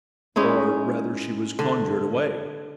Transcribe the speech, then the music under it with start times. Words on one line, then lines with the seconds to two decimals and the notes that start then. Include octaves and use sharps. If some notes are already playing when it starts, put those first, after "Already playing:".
Or rather she was conjured away.
0.36 G#3 C#4 D#4 E4
1.59 D3